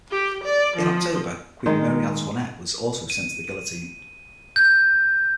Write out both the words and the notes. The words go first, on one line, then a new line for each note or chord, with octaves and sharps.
In October, Queen Marie Antoinette was also sent to the guillotine.
G4
D5
F3
D#3 G#3 D#4
D#7
G6